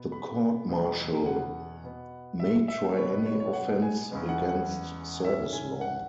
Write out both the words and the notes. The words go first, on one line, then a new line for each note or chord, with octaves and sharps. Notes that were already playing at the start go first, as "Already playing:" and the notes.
The Court Martial may try any offence against service law.
Already playing: B2 B3
B5
E2 B2 B3
F#5
B2 B3
E5
E5
B2 B3 C#5
B4
C#5
C#5
F#5
G#5
E2 C#3 G#3 B3
F#5
F#5
G#2 E3 C#4 E5
G#5
F#5